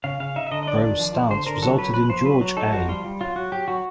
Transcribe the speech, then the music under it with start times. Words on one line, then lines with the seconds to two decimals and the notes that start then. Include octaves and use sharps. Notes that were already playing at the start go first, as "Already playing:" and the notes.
Rowe's stance resulted in George A.
0.04 C#3 F5
0.20 C#3 F5
0.36 D#4 E5
0.47 E5
0.51 D3 D#5
0.63 D#5
0.67 D4 D5
0.83 D#3
0.99 F3
1.15 F3
1.30 D3 C5
1.46 D3 A#4
1.62 F#3 A4
1.78 F#3 B4
1.94 F3 B4
2.09 F3 C5
2.25 F#3 B4
2.41 F#3
2.57 D#4 A4
2.72 F3 F#4
2.88 G3 F4
3.04 G3
3.21 F#3 F4
3.36 F#3 F#4
3.52 F#3 G4
3.68 F#3 F#4